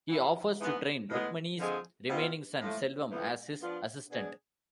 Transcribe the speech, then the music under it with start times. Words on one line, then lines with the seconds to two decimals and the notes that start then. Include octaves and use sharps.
He offers to train Rukmani's remaining son, Selvam, as his assistant.
0.08 E3 B3 E4
0.59 G#2 E3 B3
1.10 A2 E3 G#3 B3
1.59 D3 F3 G#3 C4 G#4
2.09 B2 G#3 C4 F4
2.61 A2 F3 A3
3.10 F2 E3 B3 E4
3.60 F3 B3 D4 F4
4.10 B2 B3 D4 G#4